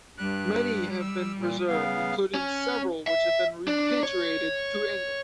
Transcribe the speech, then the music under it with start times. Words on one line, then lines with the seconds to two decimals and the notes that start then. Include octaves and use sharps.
Many have been preserved, including several which have been repatriated to England.
0.18 G2 G3 F#6
1.00 E6
1.37 A#2
1.68 C#3 B3 F5
2.34 C#4
3.07 E5
3.68 D4
4.03 C#5